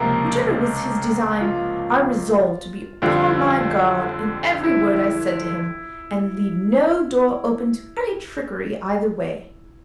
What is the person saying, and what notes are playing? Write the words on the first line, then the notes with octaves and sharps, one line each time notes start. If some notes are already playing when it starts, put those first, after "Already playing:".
Whichever was his design, I resolved to be upon my guard in every word I said to him, and leave no door open to any trickery either way.
Already playing: C#2 C3 F3 A#3 A#4
F4
F2 D3 G3 C4 F4
E4